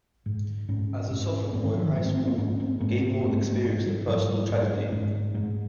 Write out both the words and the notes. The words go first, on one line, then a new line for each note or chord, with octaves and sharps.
As a sophomore in high school, Gable experienced a personal tragedy.
G#2
G#2 C#4
G#2 C#4
C#4
G#2 C4
D#3
F3
D#3
G#2 F3
C4
C4
A#3
G#2 C#4
C4
G#2 A#3
C4
A#3
G#2 A#3
G#3
G#2 G#3
G3
G#2 F3
G3
G#2
G#2 G#3
G#2 G#3